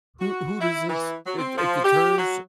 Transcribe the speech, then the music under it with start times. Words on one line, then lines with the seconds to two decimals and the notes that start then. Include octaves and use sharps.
Who who does this It it deters,
0.20 F#4
0.60 E4
0.88 E3
1.25 F#3
1.38 C4
1.57 F3
1.84 G4
2.18 F#3